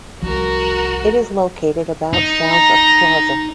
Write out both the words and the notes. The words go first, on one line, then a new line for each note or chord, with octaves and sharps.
It is located about south of Plaza.
C2 F3 F#4 A#4
D#4
A#5